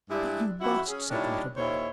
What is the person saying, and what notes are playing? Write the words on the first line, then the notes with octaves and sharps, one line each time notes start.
"But you must!" said the little boy.
G2 G#3 D4 E4 G4
F2 E4 F#4
C#4 G#4
A#2 D#3 G3 D4 E4 C#5
D#2 A#2 E4 C5 C#5